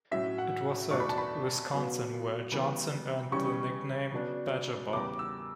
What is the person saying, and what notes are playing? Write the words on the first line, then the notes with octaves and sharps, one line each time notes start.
It was at Wisconsin where Johnson earned the nickname, Badger Bob.
A2 F#3 C#4 E5
F#5
E2 B2 A3 D4 C#6
B5
A5
B5
B2 F#3 B3
C#3 E3 G3 B3
C#3 E3 G3 C#4 C#6
C#3 F#3 B3 D4
E2 C#3 G3 B3 D6
E6